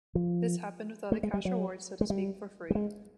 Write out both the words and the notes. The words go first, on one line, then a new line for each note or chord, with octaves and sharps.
This happened without a cash reward so to speak for free.
F3
A3
G#3
G3
F#3
G#3
G3
G3
G#3